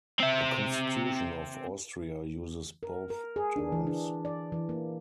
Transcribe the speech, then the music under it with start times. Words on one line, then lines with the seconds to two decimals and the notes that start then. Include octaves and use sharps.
The Constitution of Austria uses both terms.
0.20 C4 E5
2.83 A#4
3.10 A#4
3.36 G#4
3.56 D4
3.72 E3
3.87 D4
4.25 D5
4.52 E3
4.69 A#3